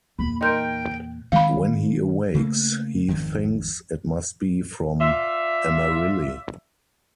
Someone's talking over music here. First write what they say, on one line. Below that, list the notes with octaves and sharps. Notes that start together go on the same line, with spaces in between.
When he awakes, he thinks it must be from Amarilli.
E2 A#2 B5
D#4 A#4 G5 C6 G6
D#3 G#3 C4 F5 B5
C#3 A3 A#3
G#1 F2 D#3
F4 D5 E5